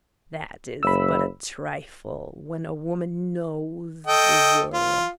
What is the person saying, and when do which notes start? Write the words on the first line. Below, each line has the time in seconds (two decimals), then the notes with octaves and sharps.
That is but a trifle, when a woman knows the world.
0.83 F#1 B5 E6
4.07 A4 D#5 G5
4.73 F4